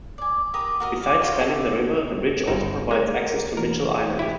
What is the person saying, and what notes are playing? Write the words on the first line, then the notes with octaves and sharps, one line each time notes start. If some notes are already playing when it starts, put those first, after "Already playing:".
Besides spanning the river, the bridge also provides access to Mitchell Island.
D5 G#5
G4 A#4 B4 D#6
F#4 A#4 D#5
D5 D6
F4 F#4 C#5 G5
G#4 A4 A5
G1 D#4
G#3 A#4
E1 A#4
E4 G4